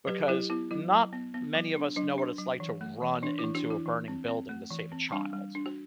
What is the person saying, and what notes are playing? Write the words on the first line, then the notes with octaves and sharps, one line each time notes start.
because not many of us know what it's like to run into a burning building to save a child.
F#3 G4 B4
F#3 E4 G4
B3 E4
F#3 E4
F#3
B3
B3
F#3
D4
F#3 D4
D4
F#3
E3
A3
E3
E3 D4
E4
E3
D4 F#4
E3 E4
E3
C4
C4
A3
E3
C4
G3 D4
G3
D4
F#4